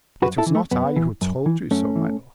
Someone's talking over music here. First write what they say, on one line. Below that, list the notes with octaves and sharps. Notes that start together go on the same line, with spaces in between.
"It was not I who told you so, my lord."
F#2 F#4 B4
E4 A4
E3
A3
F#2 B3
E3
F#2
E3
F#2 A3 C#4
E3